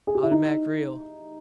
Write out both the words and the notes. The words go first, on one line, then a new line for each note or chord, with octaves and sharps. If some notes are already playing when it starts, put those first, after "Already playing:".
Automatic reel.
G#4
G4
E4
D#4